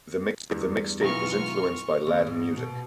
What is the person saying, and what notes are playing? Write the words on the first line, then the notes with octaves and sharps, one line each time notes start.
The mixtape was influenced by Latin music.
E2 G2
B1 E3 F4 A#5 C#6 F6
D#2
G#2
B2